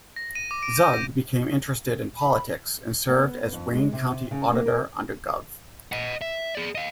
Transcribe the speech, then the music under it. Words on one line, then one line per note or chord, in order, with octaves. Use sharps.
Zug became interested in politics and served as Wayne County Auditor under Gov.
A#6
D#7
D6
D7
G6
A#6
B5
B3
F2
G#3
C3
C#3
A#3
A#4
D#5 F#5
E5
G#4 D5
D#5 F5